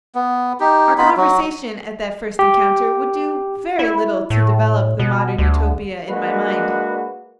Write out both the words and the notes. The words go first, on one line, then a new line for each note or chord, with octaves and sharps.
Our conversation at that first encounter would do very little to develop the Modern Utopia in my mind.
B3
D#4 G4
B3 D#4 F4 B5
F#3 F#4
G4
E4
A2
B2
D2
G#3 A#3 D4 F#4 B4